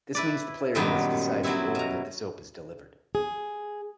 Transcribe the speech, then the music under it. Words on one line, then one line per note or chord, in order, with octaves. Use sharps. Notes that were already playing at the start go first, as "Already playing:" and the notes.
This means the player must decide the order that the soap is delivered.
E4 B4 D5
F#2 A#2 D#3 F#3 G3 B3
F#3 B3 C4 E4 C#5
B2 A#5
G#4